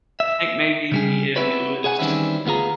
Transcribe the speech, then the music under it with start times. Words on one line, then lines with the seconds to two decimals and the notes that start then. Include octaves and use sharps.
I think maybe if it was
0.20 E5
0.92 C#3 G3 G#4
1.36 B3 C4 E4 G4 B4 C#5
1.84 G#4 C#5 F#5 G#5
1.99 D#3 E3 G3 C4 C#4 E4
2.45 D2 B3 F4 G#4 A#5